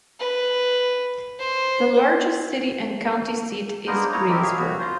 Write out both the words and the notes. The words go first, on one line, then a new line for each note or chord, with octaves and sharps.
The largest city and county seat is Greensburg.
B4
C5
A#3 B3 D4 D#4 A#4 C5
D#4 E4 C#5 A#5
C4 D#4 E4 G4 A4 A#4
E4 G#4 C#5 E5 F5
F#4
F4 C5